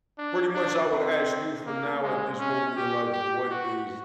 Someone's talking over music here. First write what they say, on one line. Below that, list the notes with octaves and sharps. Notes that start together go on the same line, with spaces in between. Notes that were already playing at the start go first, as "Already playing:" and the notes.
pretty much I would ask you for now at this moment in your life, what is
D4
D4
C4
A#3
G#3
C#4
G4
G4
F#4